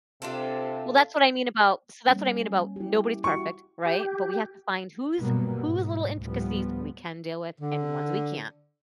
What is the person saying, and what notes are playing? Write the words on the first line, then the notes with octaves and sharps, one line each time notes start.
Well, that's what I mean about so that's what I mean about, "Nobody's perfect." Right? But we have to find whose whose little intricacies we can deal with and ones we can't.
C3 D4 F4 A4
G3 A#3 C#4
E4 G4
E4 F#4 G4 C#6
G4
G2 B2 F#3 G3 A#3 B3
G#2
D2 A2 F3 G3 B3
D3